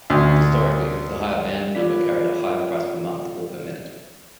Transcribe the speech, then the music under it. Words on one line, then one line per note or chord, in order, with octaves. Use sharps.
Historically, the higher band number carried a higher price per month or per minute.
D2
F4 D5 B6